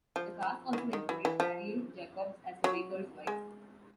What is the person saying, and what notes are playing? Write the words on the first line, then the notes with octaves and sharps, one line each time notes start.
The cast also included Arielle Jacobs as The Bakers Wife.
F3
D#3
E3
D#3
E3
E3
F3
F#3
G#3